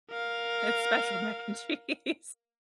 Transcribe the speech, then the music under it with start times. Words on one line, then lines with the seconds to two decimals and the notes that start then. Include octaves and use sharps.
It's special mac and cheese.
0.10 A#4 F5